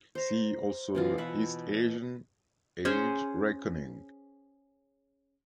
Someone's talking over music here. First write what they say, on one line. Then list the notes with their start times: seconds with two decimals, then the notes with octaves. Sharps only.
See also East Asian age reckoning.
0.15 C5 A#5
0.95 B2 E3 F4
1.18 B4 E5 F#5
2.85 C#4 G#4 C5